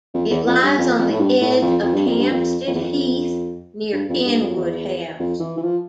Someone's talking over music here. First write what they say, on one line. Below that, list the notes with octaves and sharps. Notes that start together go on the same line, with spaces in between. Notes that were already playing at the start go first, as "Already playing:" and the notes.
It lies on the edge of Hampstead Heath near Kenwood House.
F2
E2
F2
G2
F2
F2
A2
G2
A2
F2
F2
G2
F2
G2
F2
F2
E2
F2
G2
F2
G2
F2
E2
F2
E3
E3
F3